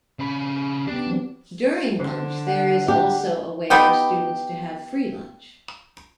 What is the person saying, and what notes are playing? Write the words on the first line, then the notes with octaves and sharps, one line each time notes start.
During lunch, there is also a way for students to have free lunch.
C#3 C#4 B5
B3 D4 G4
E3 F#3 C4
D3 C5
F#5
D4 G4
B3 D#4 G4